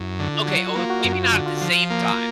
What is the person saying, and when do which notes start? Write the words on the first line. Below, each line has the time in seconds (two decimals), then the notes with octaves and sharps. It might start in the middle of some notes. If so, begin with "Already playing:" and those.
Okay. Oh, maybe not at the same time
Already playing: F#2 E4
0.20 D3
0.34 F4
0.45 F#3 F#4
0.56 F4
0.67 F#4
0.76 A#3 F4
0.90 F#4
1.01 F#2 F4
1.13 F#4
1.23 F4
1.32 D3 F#4
1.46 F4
1.57 F3 F#4
1.69 F4
1.90 A#3